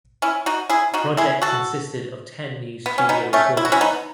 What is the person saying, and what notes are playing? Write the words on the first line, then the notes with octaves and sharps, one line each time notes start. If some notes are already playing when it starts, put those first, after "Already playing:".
The project consisted of ten new studio recordings.
C#4 E4
D#4 F#4
E4 G#4
D#4 F#4
E4 G#4
F#4 A4
B3
C#4
B3 D#4
A3 C#4
E4
F#4
C#4 E4
B3 D#4